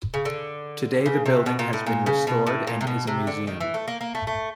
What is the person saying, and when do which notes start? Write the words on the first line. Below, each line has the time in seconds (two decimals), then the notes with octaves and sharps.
Today the building has been restored and is a museum.
0.14 C#3
0.25 D3
1.06 C#3
1.26 C3
1.46 B2
1.59 A#2
1.73 A2
1.86 A#2
2.06 C#3
2.27 B2
2.47 A2
2.67 A#2
2.81 C3
2.87 B2
3.07 C3
3.27 D3
3.47 D#3
3.60 E3
3.74 A3
3.88 A#3
4.01 A#3
4.15 A3
4.27 A3